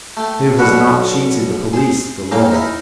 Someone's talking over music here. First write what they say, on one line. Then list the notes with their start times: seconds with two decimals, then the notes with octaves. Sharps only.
Who has not cheated the police, the law?
0.17 A3 G5
0.58 B1 B2 D3 F#4 B4 F#5
1.73 G#4 C5
2.32 C#3 A#3 C4 F5 G5
2.51 D#4 E4 A#4